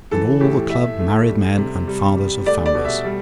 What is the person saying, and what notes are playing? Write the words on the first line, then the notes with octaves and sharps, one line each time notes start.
And all the Club married men and fathers of families.
E3 A4
A2 G4
A3 E5
A3
G3
C3
G3
G3
A3 D5
D5
B2
E5
G3